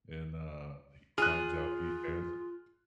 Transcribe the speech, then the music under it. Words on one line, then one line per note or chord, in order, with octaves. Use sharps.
And, uh, he finds out he has
F4 G#4 F6 F#6